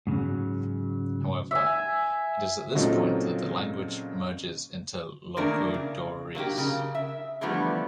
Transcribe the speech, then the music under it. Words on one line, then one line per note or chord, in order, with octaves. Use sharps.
However, it is at this point that the language merges into Logudorese.
G#2 C#3 F3 F#3
E5 G#5
A#2 C#3 F#3 C4 D#4 A4
D#3 E3 A3 A#3 D4 A#4
C#3
F#3 A#3 D#4 G4
C#3 A#4
E5
D3 E3 F3 G3 A3 B3